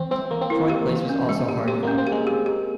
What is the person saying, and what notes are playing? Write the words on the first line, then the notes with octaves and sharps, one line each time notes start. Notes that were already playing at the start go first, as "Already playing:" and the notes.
Fourth place was also a hard fought battle.
Already playing: E3 C4
G#3 C4
E3 A#3
C4
A#3 E4
G4
E3
C#4
G#3
G4
C4 G4
A#3 C#4
C4
G4
G#3
G4
G4